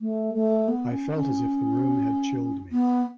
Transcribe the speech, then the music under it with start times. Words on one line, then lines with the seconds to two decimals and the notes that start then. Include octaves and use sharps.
I felt as if the room had chilled me.
0.01 A3
0.34 A3
0.68 B3
0.92 C#4
1.14 C#4
2.72 B3